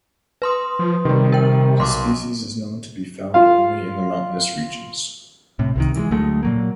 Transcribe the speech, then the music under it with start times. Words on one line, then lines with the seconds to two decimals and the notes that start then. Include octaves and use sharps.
This species is known to be found only in mountainous regions.
0.42 B4 C6 D#6
0.79 F3
1.05 C3 D#3 G3
1.32 A#4 G5
1.80 B1 C6 D6
3.34 F4 F5
5.59 A2 C3
5.76 C2 C3 D#3
5.96 E3 F3 G#3
6.11 D2 F#3 G#3 A3
6.43 A#2 F#3 A#3